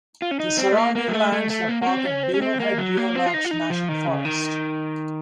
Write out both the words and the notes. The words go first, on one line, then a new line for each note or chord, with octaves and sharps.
The surrounding lands are part of Beaverhead-Deerlodge National Forest.
F4
C#4
D#4
C4
A3
A#3
A#3
F#3
A3
A3
A3
A#3
A#3
C4
C#4
C4
C#4
C4
A#3
F#3
A#3
C4
F4
D#4
F4
D#4
F3
D#3
C#3
D#3